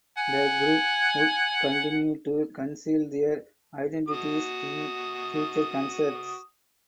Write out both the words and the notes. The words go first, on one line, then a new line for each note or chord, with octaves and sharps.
The group would continue to conceal their identities in future concerts.
F#5 G#5
F#4 D#6